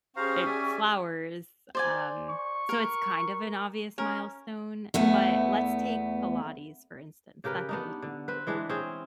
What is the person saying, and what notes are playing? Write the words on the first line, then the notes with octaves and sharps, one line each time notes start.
it flowers, um, so it's, kind of, an obvious milestone, but let's take Pilates for instance. That could be con
C#4 G4 G#4 C5 F5 A#5 C#6
D5 E5 G#5
C5 D5 G#5
C#6
A#4
C#4 A#4
E2 A3 B3
C#3 G4 A#4 B4
B3 D4 D#4
D3
C4 B4
E3 G#3 D4
C4 C#4 G#4